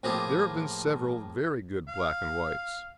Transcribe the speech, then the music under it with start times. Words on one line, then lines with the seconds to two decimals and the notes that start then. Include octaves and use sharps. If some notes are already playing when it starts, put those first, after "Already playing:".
There have been several very good black and whites.
0.03 A2 F3 A#3 F4 G4 G#4
1.88 F5